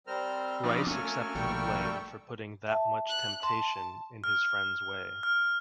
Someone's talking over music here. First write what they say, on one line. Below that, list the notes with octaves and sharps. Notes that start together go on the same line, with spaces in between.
Rice accepted the blame for putting "that much temptation" in his friend's way.
G3 C4 A#4 C5 F6
F3 D4 D#4 F#4 B5 F6
A3 A#3 C4 C#4 F#4 G#5 F6
A#1 B2 D#3 G3 G5 C#6
E5 A5
F#6
A5 C6
F6
F6